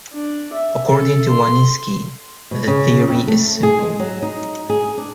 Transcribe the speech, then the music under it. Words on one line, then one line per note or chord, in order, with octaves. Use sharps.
According to Wanniski, the theory is simple.
D4
E5
A4
C6
B2
C#3
F2
A3
G#4
G#3
F#3
D#4
G#4
D4